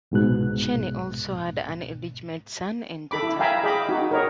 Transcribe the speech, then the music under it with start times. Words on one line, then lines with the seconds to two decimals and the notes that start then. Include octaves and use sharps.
Cheney also had an illegitimate son and daughter.
0.12 C2 G#2 B2 F#6
3.11 A4 B5 D6
3.23 E4
3.39 E5 F5 G5 G#5 A#5 B5
3.63 G#4 D#5 G5 B5 D6
3.89 D#4 F#4
4.11 A#4 C#5 D#5